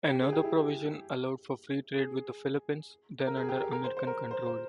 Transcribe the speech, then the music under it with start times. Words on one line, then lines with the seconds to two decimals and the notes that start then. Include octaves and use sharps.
Another provision allowed for free trade with the Philippines, then under American control.
0.09 G4
0.22 G#4
0.33 G4
0.44 E4
0.56 G4
1.97 G#4
3.27 A#4
3.37 G#4
3.49 G4
3.60 A#4
3.72 A#4
3.84 C5
3.97 C5
4.07 A#4
4.31 C5
4.46 C5